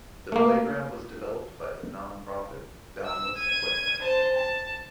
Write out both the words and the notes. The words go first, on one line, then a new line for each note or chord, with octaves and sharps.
The playground was developed by the nonprofit Boundless Playgrounds.
A3 A#3
E6
G#6 D#7
C5 A5
A5